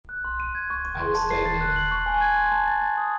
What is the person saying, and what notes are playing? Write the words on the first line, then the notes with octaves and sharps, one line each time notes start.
I was stagnating.
F#6
C6
D#7
G#6
C#6
C#6
C6
A5
C7
A6
F#6
F#7
C#6
G#5
G#6
C6
A5
A6
A6
D#6